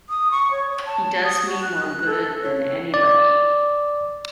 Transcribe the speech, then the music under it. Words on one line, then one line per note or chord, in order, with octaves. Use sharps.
He does me more good than anybody.
D#6
C#6
C#5
C#5
A5
D#6
F#4
F#6
F#6
A4
C#5
D5